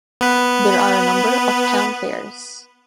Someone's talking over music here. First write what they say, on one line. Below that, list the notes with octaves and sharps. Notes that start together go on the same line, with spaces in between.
There are a number of townfaires.
B3 B4